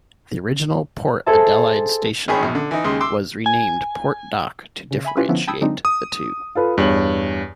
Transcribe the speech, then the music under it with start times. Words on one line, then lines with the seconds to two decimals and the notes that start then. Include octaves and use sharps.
The original Port Adelaide station was renamed Port Dock to differentiate the two.
1.26 G#4 A4 C5 E5 A5
2.28 G#1 D#3 C#4 G#4 B5
2.43 A#1 B2
2.55 D3
2.71 E3 D#4
2.84 D#2 C#3 G#3 C6
3.00 C6 D6 E6
3.46 G#5
4.91 C#3
5.04 E5 G#5 B5
5.16 C#4 E4 F4 G4 B4
5.28 D3 F3 B3 C#4 E4 F4
5.47 G5 A5 B5 D#6 E6 G#6
5.60 D3 F#3 G#3 C4 D4 D#4
5.85 D#6
6.55 F4 A4 B4
6.78 E2 G2 C#5 F#7